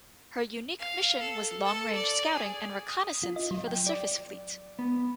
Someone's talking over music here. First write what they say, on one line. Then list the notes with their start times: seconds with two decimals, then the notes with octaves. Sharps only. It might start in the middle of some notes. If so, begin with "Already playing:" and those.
Her unique mission was long-range scouting and reconnaissance for the surface fleet.
0.79 F5
1.20 A4
1.65 A4
1.95 D5
2.33 G#4
2.89 D#6
3.23 F4
3.36 D#5
3.51 F#3
3.68 G5
3.87 D5
4.79 B3